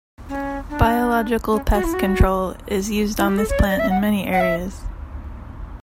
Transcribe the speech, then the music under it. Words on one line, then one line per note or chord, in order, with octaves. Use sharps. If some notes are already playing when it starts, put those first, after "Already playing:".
Biological pest control is used on this plant in many areas.
C#4
D4
C#4
F#4
E4
F#4
E4
G4
A4
C#5
D5
D5
E5
F#5
F#5
E5